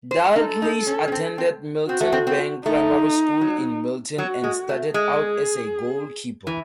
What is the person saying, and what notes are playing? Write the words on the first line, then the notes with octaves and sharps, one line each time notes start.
Dalglish attended Milton Bank Primary School in Milton and started out as a goalkeeper.
C5
D#4 A4
D#4
C#4
C#4
C4
C4
C4 F#4
A3
C4
C4
A3 D#4
F#3
F#3 F#4
G#3
A3
G#3 G#4
E3